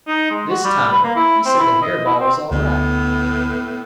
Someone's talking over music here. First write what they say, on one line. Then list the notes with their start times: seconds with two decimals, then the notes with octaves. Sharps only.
This time he said the hair-ball was all right.
0.08 D#4
0.30 G#3
0.50 F#4
0.65 G3
0.92 B4
1.03 A#3
1.16 E4
1.46 C4
1.59 E4
1.82 D#5
2.06 E4
2.20 C4
2.51 D2 A2 B3